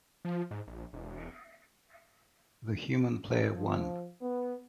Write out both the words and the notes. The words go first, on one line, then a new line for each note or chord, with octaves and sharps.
The human player won.
F3
G#2
A#1
E1
F3
B3